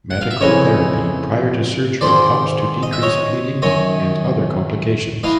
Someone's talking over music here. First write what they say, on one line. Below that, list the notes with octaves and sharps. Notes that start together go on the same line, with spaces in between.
Medical therapy prior to surgery helps to decrease bleeding and other complications.
F#5
F5
E5
F2 C#3 E3 C#5 D#5
G#2 D#3 C5 D5
D#5
E5
C#5 D#5
F#2 D#3 C#5 D#5
E3 D#5 F5